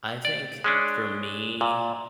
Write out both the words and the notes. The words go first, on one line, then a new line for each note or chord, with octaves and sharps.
I think, for me
D5
G#3 C#4 D4
A#2